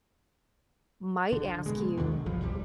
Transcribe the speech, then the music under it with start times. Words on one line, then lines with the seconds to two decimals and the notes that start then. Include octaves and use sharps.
might ask you
1.32 D3
1.66 B2 G#3
1.97 D#2 B2 D3 D#3
2.26 C2 G2 E3 F3
2.41 D#1 G#1 D#2 G3